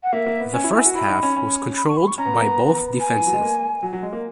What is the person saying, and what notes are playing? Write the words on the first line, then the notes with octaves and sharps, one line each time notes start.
The first half was controlled by both defenses.
F#5
A#3 E5
A#3
B3
C#4 G#5
E4
E4 G#5
F#4
E4 B5
D#4
C#4
C#4
B5
C#6
B5
C#6
C#4 A#5
B3
A#3
B3
B3
G#5
E3
F#3
G#3
A#3
F#3
F#3
G#3
A#3